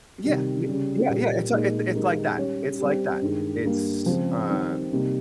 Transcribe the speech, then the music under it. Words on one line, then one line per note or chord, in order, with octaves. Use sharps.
Yeah yeah yeah yeah it's it's it's like that it's like that. It's, um
C3 D#3 G3
C#3 G3 C#4
A#2 G3 A#3 F4
A#2 G#3 D#4 A#4
D#3 G#3 D#4 G4 A#4
G3 C#4 G4 C#5
G3 C4 G4
G2 D#3 G#3
G2 G3 A#3
C#3 F3 G#3 C4
D#3 G3 C4
C3 G3 A#3 D#4